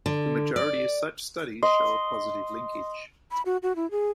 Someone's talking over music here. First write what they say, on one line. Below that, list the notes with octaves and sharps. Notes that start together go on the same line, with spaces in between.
The majority of such studies show a positive linkage.
D3
D5
D#5 C6
B5
F#4
F#4
E4
G#4